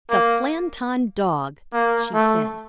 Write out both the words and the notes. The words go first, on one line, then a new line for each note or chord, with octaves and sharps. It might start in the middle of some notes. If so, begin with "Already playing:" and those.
"The Flanton Dog!" she said.
A#3
A#3
A3